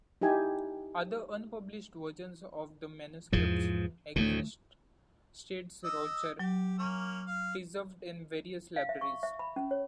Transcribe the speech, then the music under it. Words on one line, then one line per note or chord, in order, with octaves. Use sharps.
Other unpublished versions of the manuscripts exist, states Rocher, preserved in various libraries.
D#4 E4 G4 G#5
E2 G#2 E3 F3
D2 A2 D#3 A3
D#5 E6
F#3 G4
A#3 C#4
F5
F5
E5
C#6
E5
B5
C#4
C#5